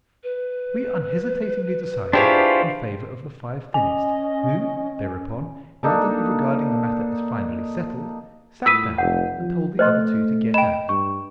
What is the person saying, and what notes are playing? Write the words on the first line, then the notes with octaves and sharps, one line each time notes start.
We unhesitatingly decided in favour of the five thinnest, who, thereupon, evidently regarding the matter as finally settled, sat down, and told the other two to get out.
B4
D4 E4 F4 G4 G#4 C5 C#5
C#4 D#5 G#5
A#3 D4 D#4 A4
A2 F4 D#6 E6 B6 D#7
F1 F#5 G6
F3
A3 C5 D#5 C6 F6
D#5 G5 B5 E7
G2 C#6